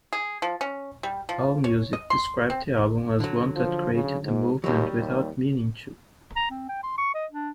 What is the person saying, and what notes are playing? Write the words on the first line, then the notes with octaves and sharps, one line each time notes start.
Allmusic described the album as one that created a movement without meaning to.
G#4
F3
C#4
G3
F3
C#5
D#5
C6
C4
D3 F#3
F3
C#3
G#2
D#2 F#3 G3
D#2
A#5
C4
G5
C6
C#6
D#5
D4